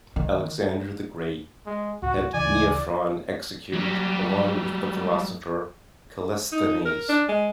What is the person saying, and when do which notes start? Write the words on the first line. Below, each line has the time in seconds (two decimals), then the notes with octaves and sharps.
Alexander the Great had Neophron executed along with the philosopher Callisthenes.
0.16 D#3
1.66 G#3
2.03 C#2 A2 F#4
2.34 D2 C#3 E3 D5 G#5
3.73 F#3 G3
6.52 D#4
6.85 A#4
7.09 D4
7.29 G#3